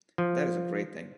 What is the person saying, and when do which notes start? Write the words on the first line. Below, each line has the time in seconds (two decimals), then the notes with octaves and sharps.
That is a great thing.
0.18 F3